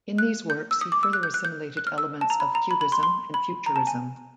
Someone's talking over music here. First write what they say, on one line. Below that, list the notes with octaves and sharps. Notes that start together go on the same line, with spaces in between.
In these works he further assimilated elements of Cubism and Futurism.
F#6
G6
E6
D#6
D6
E6
F#6
G6
F#6
G6
F#6
F6
E6
A5
A#5
B5
A#5
B5
B5
C6
C6
B5
A#5
A5
G#5